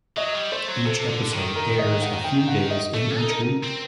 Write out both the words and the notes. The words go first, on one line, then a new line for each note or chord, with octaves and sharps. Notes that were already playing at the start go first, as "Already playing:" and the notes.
Each episode airs a few days in each week.
F#3 D#5
G3
A3 C5
F#3
C3 A4
D3
D#3
A#4
D#5
F#5
G5
F#5
D#5
A3 A4
D#4 A4
A#4
C4